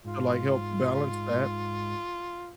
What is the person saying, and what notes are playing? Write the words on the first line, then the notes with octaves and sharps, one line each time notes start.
to, like, help balance that.
G#2 F4